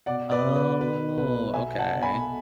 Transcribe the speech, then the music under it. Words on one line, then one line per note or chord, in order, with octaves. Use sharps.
Oh, okay.
B2 D5 F#5
B4 D5
B2
B4
B2 B4
B1 B4
B2 E5 G#5
F#5 A5
B2
G#5 B5